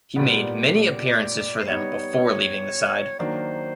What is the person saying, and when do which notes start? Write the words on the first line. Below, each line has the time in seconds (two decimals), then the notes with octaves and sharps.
He made many appearances for them before leaving the side.
0.16 A#2 G3 B3 D5
1.59 C5
1.67 G3 B3 D#4 C#5
3.19 D#3 F#3 A#3 D4 C5